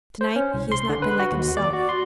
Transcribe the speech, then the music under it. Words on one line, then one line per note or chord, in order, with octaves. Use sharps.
'To-night he has not been like himself.
C5
C#4
C2
C6
D3
B4
F#4
D#2
D5
F#4
C6